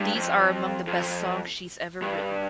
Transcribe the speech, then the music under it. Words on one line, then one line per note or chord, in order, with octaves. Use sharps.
These are among the best songs she’s ever written.
G2
F2
F2
G2